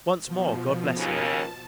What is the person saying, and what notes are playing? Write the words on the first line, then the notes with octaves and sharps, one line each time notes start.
Once more, God bless you!
B2 F3
D#2 C#3 A5